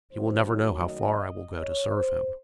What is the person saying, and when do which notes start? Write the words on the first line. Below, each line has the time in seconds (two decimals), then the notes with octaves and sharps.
He will never know how far I will go to serve him.
0.12 F#2 D#3 F#3 A3 C5
0.48 C#5
0.84 D#5
1.57 C#5
1.94 C5